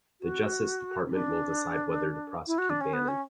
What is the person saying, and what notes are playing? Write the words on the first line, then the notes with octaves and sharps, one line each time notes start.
The Justice Department will decide whether to prosecute Bannon.
F#4
D4
E4
F#4
D4
C#4
B3
C#4